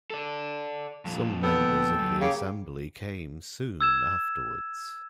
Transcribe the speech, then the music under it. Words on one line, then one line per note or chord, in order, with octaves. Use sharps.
Some members of the Assembly came soon afterwards.
A4 D5
F2 A#2
B3 A4 G5
F#2
C#3 A#3 G4
E6 G#6 E7